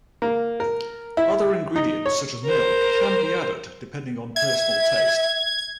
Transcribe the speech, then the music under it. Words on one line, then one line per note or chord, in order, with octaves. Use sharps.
Other ingredients such as milk can be added depending on personal taste.
A#3
A#4
E4
D#4
C#5
A#4 C5
E5 G#6